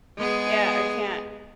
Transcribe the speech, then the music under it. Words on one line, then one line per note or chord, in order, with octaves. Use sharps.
yeah I can't,"
G#3 B3 G#4